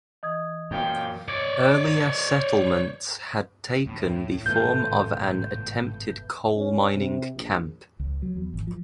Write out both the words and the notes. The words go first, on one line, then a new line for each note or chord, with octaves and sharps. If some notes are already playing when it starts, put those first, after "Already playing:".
Earlier settlements had taken the form of an attempted coal mining camp.
E3 D#5 D#6 G#6
F#2 A#2 F5 G5
C#5 D5
D2 A2
G#1 F#2 C3 A3 B3 F4 G6
C#4
C3
A#1
C#2
F#3
E2
G#1
F3